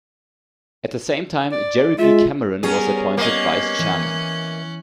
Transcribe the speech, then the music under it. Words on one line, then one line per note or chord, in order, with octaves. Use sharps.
At the same time, Gerry B. Cameron was appointed vice chairman.
D5
G#3 F4 E5
G3 B3 C#4 G#4 A#4 C#5
A#3 C#4 D#5 F#6
E3